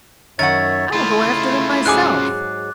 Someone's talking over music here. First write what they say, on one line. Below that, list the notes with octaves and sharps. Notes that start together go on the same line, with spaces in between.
'I will go after them myself.
F#2 D#3 C#5 E5 F#5 A6
C#3 A3 E4 F4
G#2 F#3 G#4 D6 F#6